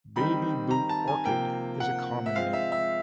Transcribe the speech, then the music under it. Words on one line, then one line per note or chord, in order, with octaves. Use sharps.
Babyboot orchid is a common name.
D#3 G3 C4 D#4 B5
A#5
A5
G#5
C3 F3 A#3 G5
F#5
E5
F3 G#3 C4 F5
E5
E5